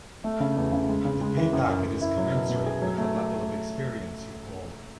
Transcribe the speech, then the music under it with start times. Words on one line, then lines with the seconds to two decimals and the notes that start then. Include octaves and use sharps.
The pay packet is commensurate with the level of experience you hold.
0.24 A3
0.40 C#3
0.56 E2
0.72 C#3
0.89 G#3
1.05 C#3
1.21 G#3
1.37 E3
1.53 F#2
1.69 F#2
1.85 F#2
2.01 E4
2.17 F#3
2.34 B2
2.49 B2
2.66 G#4
2.82 F#3
2.98 A3